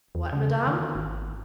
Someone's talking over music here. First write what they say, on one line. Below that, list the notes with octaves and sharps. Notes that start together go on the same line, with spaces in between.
"What, madame?"
E2
C#3
D#3
G#1